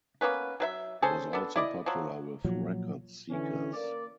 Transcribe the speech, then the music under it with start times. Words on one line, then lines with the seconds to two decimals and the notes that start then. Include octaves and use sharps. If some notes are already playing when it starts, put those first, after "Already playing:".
It was also popular with record-seekers.
0.21 A#3 B3 C#4 B4
0.60 F#3 B4 E5
1.02 C#4 G#4 A4 C5
1.33 B3 D4 A4
1.56 E4 D5 D#5
1.86 F3 F#3
2.45 A#2 F3 F#3
3.30 D3 E3 C#4
3.74 A#3 D5